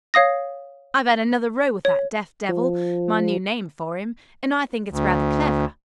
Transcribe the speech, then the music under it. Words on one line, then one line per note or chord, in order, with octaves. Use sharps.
I've had another row with that deaf-devil--my new name for him, and I think it's rather clever.
C#5 F5 D#6 A#6
C#5
F3
D2